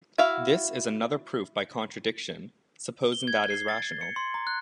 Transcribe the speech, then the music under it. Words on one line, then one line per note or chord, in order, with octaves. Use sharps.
This is another proof by contradiction, supposing that is rational.
E4 F#4 E5 F5
G7
G#6
C7
A6
C#7
C6
A#5
F#6